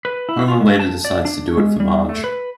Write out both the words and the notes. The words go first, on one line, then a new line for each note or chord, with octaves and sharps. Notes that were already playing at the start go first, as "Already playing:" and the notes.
Homer later decides to do it for Marge.
B4
E4
F4
G#3
A5
D5
D4
G#3
G3
A3
B4